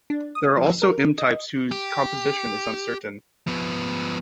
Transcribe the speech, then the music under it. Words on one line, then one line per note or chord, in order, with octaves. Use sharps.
There are also M-types whose composition is uncertain.
D4
D#6
F3
A#4
D#5
G4
F3 B3